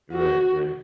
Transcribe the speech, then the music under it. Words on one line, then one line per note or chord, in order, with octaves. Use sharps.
Right, right.
F#4